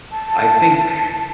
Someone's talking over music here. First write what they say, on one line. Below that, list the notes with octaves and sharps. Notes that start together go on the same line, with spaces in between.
I think,
A5